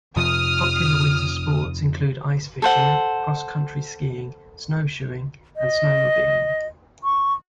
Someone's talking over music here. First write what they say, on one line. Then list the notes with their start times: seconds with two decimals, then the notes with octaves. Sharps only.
Popular winter sports include ice fishing, cross-country skiing, snowshoeing, and snowmobiling.
0.16 F2 C3 F3 D#6 F6
2.62 A4 C5 F#5
5.57 D#5
7.04 C#6